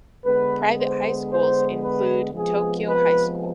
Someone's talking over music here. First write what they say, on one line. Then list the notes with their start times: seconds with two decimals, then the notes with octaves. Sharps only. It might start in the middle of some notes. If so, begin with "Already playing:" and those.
Private high schools include Tokyo High School.
0.24 D3 G#3 B3 B4
0.78 C5
1.30 C5
1.81 B4
2.33 C3 F3 G#3 B3 G#4
2.86 B4